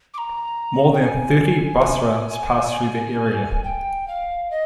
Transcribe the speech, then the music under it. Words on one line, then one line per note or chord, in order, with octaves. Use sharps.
More than thirty bus routes pass through the area.
D6
A#5
G5
G#5
G5
F5
D#5